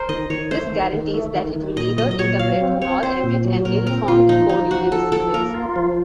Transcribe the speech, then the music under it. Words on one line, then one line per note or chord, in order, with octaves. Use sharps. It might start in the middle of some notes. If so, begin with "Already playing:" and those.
This guarantees that it will neither interpret nor emit an ill-formed code unit sequence.
Already playing: A#4 C5
D#3 D#5
D#3 C#5
A3 C5
D#3
D#3
A3
D#3
D#3
A#2 D#5
F#3 D#5
D#5
A#2 C#5
F#3 F5
C4
C4 C#5
C4 C5
A#2
F#3
A#2 A#4
C4 A#4
A#2 F4
F3 D#4
F3 D#4
F3 F#4
F3 A4
F3 A4
A#3 A#4
F4
F3